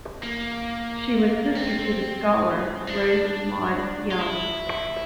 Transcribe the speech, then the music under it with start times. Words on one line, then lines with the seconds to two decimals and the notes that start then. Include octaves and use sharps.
She was sister to the scholar Rose Maud Young.
0.24 A#3
1.55 C4
2.87 D4
4.12 F4
4.19 E4